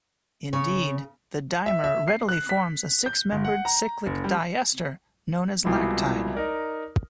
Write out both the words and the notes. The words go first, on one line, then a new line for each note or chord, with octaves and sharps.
Indeed, the dimer readily forms a six-membered cyclic diester known as lactide.
C#3 C#5
E5
E5
C7
F#6
B6
G6
G1
F#5
A#5
F#1
G3
C2 B2 F3 G3 G#3 E4
D#4 A#4 D5